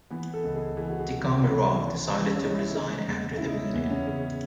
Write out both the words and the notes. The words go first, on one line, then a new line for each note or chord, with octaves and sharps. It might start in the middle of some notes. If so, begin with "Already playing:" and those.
Tikhomirov decided to resign after the meeting.
E3 B3
A4
C#2
G#4
E3 G#4
F#4
G#4
E3
F#4
B3
E3 C#4
E3
E3
C#4
C#4
E3 D#4
E4
C#3 D#4
E2
C#3 E4
D#4
C#4
E2 B3
C#4
C#3 C#4